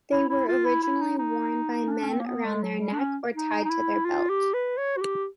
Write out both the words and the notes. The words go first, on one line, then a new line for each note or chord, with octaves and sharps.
They were originally worn by men around their neck or tied to their belt.
E4
E4
F4
E4
E4
D#4
D#4
C#4
D4
C#4
C4
A#3
B3
G#3
F#3
G3
D4
C#4
D#4
D#4
E4
F4
G4
B4
C#5
F#4
G4